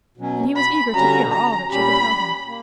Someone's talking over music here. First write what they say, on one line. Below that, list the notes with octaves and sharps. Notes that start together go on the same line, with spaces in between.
And he was eager to hear all that she could tell him.
B2 F#3 C#4
B5
D3 G3 C#4 F#4 A#5
A#5
A#2 G3 C#4 G4 B5
A#3